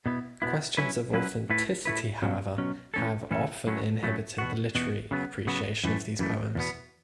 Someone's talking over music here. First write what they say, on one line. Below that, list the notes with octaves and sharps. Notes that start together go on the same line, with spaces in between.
Questions of authenticity, however, have often inhibited the literary appreciation of these poems.
B2 B3 E4
B2 B3 E4
F#3 C#4 E4 B4
F#3 C#4 E4 B4
A2 A3 E4 B4
A2 A3 E4 B4
B2 F#3 C#4
B2 F#3 C#4
A2 E3 C#4 A4
A2 E3 C#4 A4
A2 F#3 A3 C#4
A2 F#3 A3 C#4
E2 B2 B3 F#4
E2 B2 B3 F#4
C#3 F#3 B3
C#3 F#3 B3
F#2 E3 A3
F#2 E3 A3
E2 B2 B3